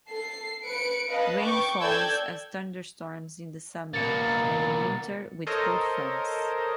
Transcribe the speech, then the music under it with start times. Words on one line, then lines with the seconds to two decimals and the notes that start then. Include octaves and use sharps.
Rain falls as thunderstorms in the summer, and in winter with cold fronts.
0.10 A4 C7
0.65 B4 C#7 D7
1.08 B4 D#5 F5 A5
1.41 G5 C#6 D6
1.81 A4 D5 G5 E6 G6 G#6
3.93 B2 A#3 A6 C#7
5.47 A4 A#4 C5 C#5 D#5